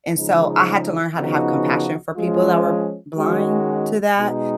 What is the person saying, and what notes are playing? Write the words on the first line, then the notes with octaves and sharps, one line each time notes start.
And so, I had to learn how to have compassion for people that were blind to that,
C#3 F3 G#3 D#4
C#3 F3 B3 D#4 F#4
F3 G#3 C#4 F4
D#3 G#3 C#4 F#4
B2 G#3 D#4